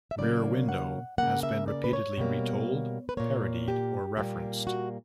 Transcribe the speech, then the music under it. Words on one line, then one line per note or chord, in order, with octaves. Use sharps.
"Rear Window" has been repeatedly re-told, parodied, or referenced.
E5
C#3 F#3 A#3 D5
F#5
C#3 F#3 A#3 F#5
E5
D5
B4
C#5
B2 G3 A#3
B4
A#2 A#3 C#5
G4
A#2 G3 A#3 G4
F#4